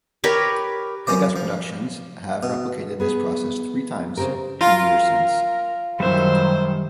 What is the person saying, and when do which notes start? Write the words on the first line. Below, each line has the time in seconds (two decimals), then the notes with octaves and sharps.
Pegas Productions have replicated this process three times in the years since.
0.24 G4 A#4 B4 C#5
1.07 F#2 C#4 C5 D5
1.36 F3
2.43 B2
3.00 B3 G#4 B4
4.17 C#3 C4 G4 A#4
4.61 F4 A#4
6.00 F#2 D#3 G3 C5 E5